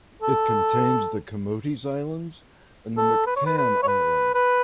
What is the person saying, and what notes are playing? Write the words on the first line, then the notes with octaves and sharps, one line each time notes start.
It contains the Camotes Islands and Mactan Island.
A4
A4
B4
C#5
B4
B4
C#5
B4
B4